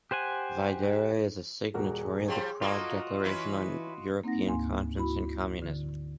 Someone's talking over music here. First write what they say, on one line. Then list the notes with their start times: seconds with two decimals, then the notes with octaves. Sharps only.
Vaidere is a signatory of the Prague Declaration on European Conscience and Communism.
0.11 G4 C5 F#5 G#5
1.74 D#1 F#4 G#4 A#4
2.28 F3 G3 C#5 G5 C6
2.62 A#3 F4 F#4 A4 D#5
3.24 E3 C#4 E4 B4
4.24 A#3 C4 D#4 F#5 A#6
4.47 D2 G#2 A#3 G#5 C6
4.96 D2 E4 F#4 B5
5.62 D3